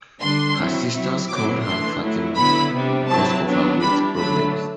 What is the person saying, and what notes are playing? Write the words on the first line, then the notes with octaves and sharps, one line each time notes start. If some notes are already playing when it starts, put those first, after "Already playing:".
Her sisters called her Fatima because of her weight problems.
D3 G3 D4 C6
F#3 C4 E4
F#3 C4 E4
B2 F#3 C4 E4 D6
E3 A3 D4 C6
F#3 A3 E4
D3 F#3 B3 E4 B5
C3 G3 D4
F#3 C4 E4 A5
F#3 B3 D4
E3 G3 D4 B5
D3 F#3 A3 D4 B5